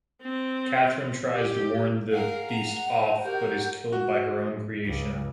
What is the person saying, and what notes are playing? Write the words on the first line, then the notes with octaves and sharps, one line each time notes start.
Catherine tries to warn the beast off, but is killed by her own creation.
C4
G4
G#4 A#4 F5 F#5
A#5
C5
F#4 G4 A#4 G6
F#4
C#2